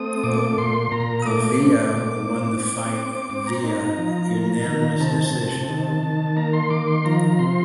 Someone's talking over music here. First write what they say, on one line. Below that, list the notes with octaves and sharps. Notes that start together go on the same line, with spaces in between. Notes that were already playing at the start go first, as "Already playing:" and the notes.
Avila won the fight via unanimous decision.
Already playing: A3 C4 D#6
A#2 D6
A#2 C6
A#2 A#5
D#6
A3 D6
C4
A#2
C4
C4
C4 D6
D6
C4 D6
A#5
D#4
F3
A#3
D#3
C3 A5
C3
D#3
D#3
A#3 A#5
C6
D#3 D6
C6
F3 A#5
C3 C6